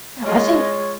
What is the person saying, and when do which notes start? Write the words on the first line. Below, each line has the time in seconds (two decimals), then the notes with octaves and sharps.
I think
0.25 G#3 F4 C#5 D#5